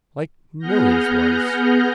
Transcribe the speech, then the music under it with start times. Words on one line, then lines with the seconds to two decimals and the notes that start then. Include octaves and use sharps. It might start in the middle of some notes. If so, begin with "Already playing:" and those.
Like Milly's was.
0.59 B3 G#4 F#5 F6 G6 A#6